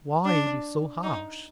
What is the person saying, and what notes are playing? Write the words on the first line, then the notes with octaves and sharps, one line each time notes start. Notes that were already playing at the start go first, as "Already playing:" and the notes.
Why be so harsh?
D4
D#4